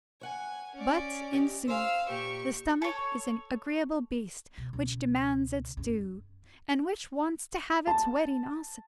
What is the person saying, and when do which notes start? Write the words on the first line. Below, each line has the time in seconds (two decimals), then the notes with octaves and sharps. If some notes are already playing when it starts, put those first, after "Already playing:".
But, in sooth! the stomach is an agreeable beast which demands its due, and which wants to have its wedding also.
0.21 C#5 F#5 G#5
0.75 C#4 D5
1.33 G4 D#5
1.68 C5 F5 G#5 E6
2.09 A#2 G4 C#6
2.82 A4 C#5
4.58 B2
4.73 C#2 B2
5.77 F#2 G#3
7.87 A5